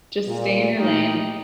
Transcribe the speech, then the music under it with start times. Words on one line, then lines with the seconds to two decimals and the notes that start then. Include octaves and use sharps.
just stay in your lane
0.28 A#2
0.76 A#2 A3 D#4 G4 A#4